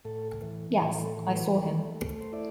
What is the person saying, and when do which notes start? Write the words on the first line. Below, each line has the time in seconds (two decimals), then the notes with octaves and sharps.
Yes, I saw him.
0.05 A2 A4
0.42 E3
0.81 A2 G4
1.06 A4
1.18 E3
1.31 B4
1.56 A3
1.94 A3
2.21 C5
2.33 E4 D5